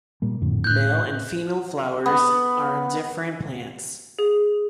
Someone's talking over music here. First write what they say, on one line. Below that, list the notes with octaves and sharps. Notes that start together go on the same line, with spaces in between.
Male and female flowers are on different plants.
A#2 G3 A#3
F2 A2 D3
A2 F#6 G6
B3
G#4